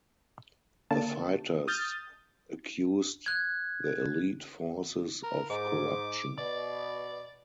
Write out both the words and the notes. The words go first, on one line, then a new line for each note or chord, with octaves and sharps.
The fighters accused the Elite Forces of corruption.
D3 A#3 A5
D#6 F6 G6 A6
F#6 G#6
A#4
G#2 D6
B2 D5